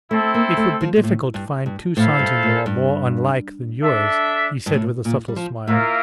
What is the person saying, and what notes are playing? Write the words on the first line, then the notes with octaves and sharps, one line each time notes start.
"It would be difficult to find two sons-in-law more unlike than yours," he said with a subtle smile.
A3 C4 E4 A4
A#3
A3
F3
A#2
A2
G2
G2
A2 E4 A4 C5 F5
G2
A2
G2
D4 A4 E5
G2
A2
A#2
G3
F3
A2 A#3 F4 A#4 E5